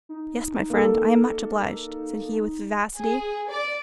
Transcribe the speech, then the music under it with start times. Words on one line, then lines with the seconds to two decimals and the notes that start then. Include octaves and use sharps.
"Yes, my friend, I am much obliged," said he with vivacity.
0.09 D#4
0.70 A#3 A4
2.98 G#4
3.49 D5